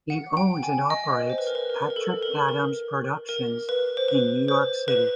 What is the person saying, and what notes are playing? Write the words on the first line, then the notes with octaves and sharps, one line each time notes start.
He owns and operates Patrick Adams Productions in New York City.
F#5
G5
G#5
D#5
C5
B4
A#4
B4
A#4
A#4
A4
A#4
A#4
A#4
B4
C5
B4
C5
B4